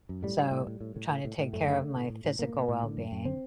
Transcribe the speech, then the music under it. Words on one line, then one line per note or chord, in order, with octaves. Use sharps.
so I'm trying to take care of my physical wellbeing.
F#2
A2 G3
A2
A2
A2
A2
A2
A2
A2
A2
F#2 A3
D3
D3
A2
A2
A2
A2 A#3
A2
A2
D3
F#2
F#2
D3 C4